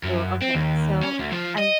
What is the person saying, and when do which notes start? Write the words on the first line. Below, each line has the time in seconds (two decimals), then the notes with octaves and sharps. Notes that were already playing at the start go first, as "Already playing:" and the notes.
Ooh, okay. So, I
0.04 F#2
0.42 C4
0.55 D#2
1.02 C#4
1.19 D2
1.32 F3
1.58 D#5